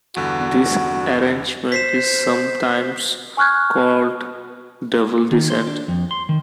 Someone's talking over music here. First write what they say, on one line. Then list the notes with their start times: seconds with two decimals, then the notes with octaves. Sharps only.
This arrangement is sometimes called double descent.
0.16 E2 G2 D3 F#4
1.72 C5 B6 C7 E7
3.37 G#5 C#6 F6 F#6 G#6
5.31 D#3
5.50 C5
5.67 D4
5.88 F2
6.11 C6
6.29 D#3